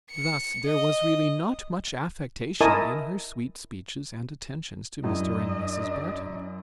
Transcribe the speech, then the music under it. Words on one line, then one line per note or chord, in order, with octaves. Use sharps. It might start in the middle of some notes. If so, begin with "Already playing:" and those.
Thus there was really not much affectation in her sweet speeches and attentions to Mr. and Mrs. Barton.
C#7
D#5
E4 A#4 D#5 G#5 A5 D#6
F#2 D4 E4 D#5